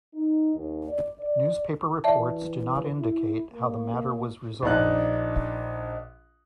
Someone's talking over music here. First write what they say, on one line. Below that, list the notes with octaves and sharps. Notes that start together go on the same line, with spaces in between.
Newspaper reports do not indicate how the matter was resolved.
D#4
D#2
D5
D5
E3 D5 E5 A5
E4
A#3
A#1 D4 D#4 F#6